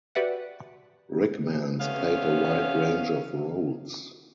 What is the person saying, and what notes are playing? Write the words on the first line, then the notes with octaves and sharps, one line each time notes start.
Rickman's played a wide range of roles.
F#4 G4 B4 D5 E5 F#5
C3 A3 B3 C#4 F5